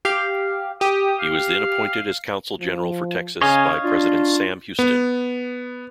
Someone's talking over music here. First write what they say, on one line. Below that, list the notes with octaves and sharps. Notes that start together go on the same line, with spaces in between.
He was then appointed as consul general for Texas by President Sam Houston.
G4 F5
G4 D#6
F5
F3
C#3 C#5 D#5 F5 G#5
D4 F4
B3